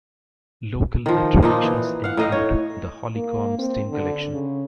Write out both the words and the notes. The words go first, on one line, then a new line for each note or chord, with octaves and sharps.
Local attractions include the Hollycombe Steam Collection.
D#3 F3
A#2 F3 D#4 D#5
E3
F5 F#5
A2 D#4 D#5 F5
C#5
A#3
C4
D3
C#3